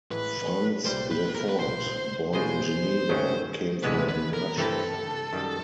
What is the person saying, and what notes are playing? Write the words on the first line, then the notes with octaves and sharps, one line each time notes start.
Franz Lefort, born in Geneva, came from a merchant family.
A1 A2 E3 G#3 B4
C2 A#2 G3 A#3 C5
B4
A#4
B4
B1 A#2 F3 C5
B2 G#3 C#4 F4 G#4 C5
G2 D#3 F#3 A3 C#4
D2 C3 E3 G#3 B3 B4
B4
A#4
G2 E3 A3 C4 E4 A4
F#2 D#3 G3